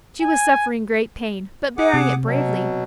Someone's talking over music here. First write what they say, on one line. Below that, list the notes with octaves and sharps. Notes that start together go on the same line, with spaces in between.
She was suffering great pain, but bearing it bravely.
G#5
G#4 F#5 D6
C3
B2 F#3